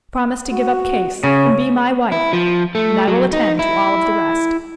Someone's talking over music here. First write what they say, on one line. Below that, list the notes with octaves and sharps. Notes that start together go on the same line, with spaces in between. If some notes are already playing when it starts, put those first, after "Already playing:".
Promise to give up Case, and be my wife, and I will attend to all of the rest.
F#4
C#3 C#5
E4
F3
A3
F#3
D#4
E4